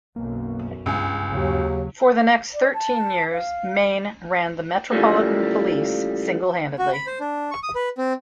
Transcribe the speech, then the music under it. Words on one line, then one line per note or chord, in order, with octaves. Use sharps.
For the next thirteen years, Mayne ran the Metropolitan Police single-handedly.
B1 F#2 A#3
C#2 G2 G#5
D#2 C#3 F#3
D5
A5
F5
C#3 E3 F3 G3 A3 A#3
F#4
B5
C5
D4
C#6
D#6
B4
C4